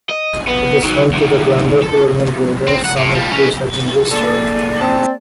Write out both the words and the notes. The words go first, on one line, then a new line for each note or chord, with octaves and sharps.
It is home to the grander colonial buildings, some of which have been restored.
D#5
B3
D#3 F#3
D2 D#3
A4
C4
F#5
A2
F3 G3
C#4 B4
A#3 G#4 A4 D5
C4 A5